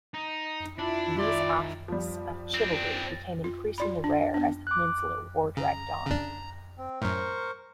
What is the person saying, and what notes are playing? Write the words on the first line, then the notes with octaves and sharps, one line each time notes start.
These acts of chivalry became increasingly rare as the Peninsular War dragged on.
D#4
D4 E4 F4
D#3 D5 C6
F3 G3
C4 D4
F4
F4 D5 B5
D4
B3 D4
D6 F#6
C#3 A#5
C#3 D4
C4
F#2 A2 A#4 C5 C#6